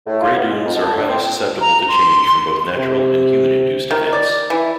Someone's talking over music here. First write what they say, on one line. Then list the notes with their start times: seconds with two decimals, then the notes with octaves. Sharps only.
Grey dunes are highly susceptible to change from both natural and human-induced events.
0.06 A2
0.21 F4
0.35 B3
0.50 G#3
0.64 F2
0.76 A5
0.93 D3
1.07 C4
1.61 A#5
1.88 C6
2.76 C3
3.91 D#3
4.13 D5
4.50 E3